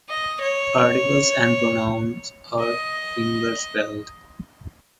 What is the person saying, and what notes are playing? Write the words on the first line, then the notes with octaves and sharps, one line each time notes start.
Articles and pronouns are fingerspelled.
D#5
C#5
D#5